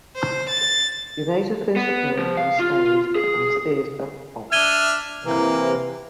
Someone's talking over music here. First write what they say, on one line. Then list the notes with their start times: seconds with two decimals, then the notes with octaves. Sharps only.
She made her first appearance on stage at Theater Hof.
0.16 C5
0.49 A6
1.76 B3
2.19 F3
2.37 F5
2.59 F4
3.15 G#4
4.52 D4 E5 F6 G#6 D#7 G7
5.24 C3 E3 A#3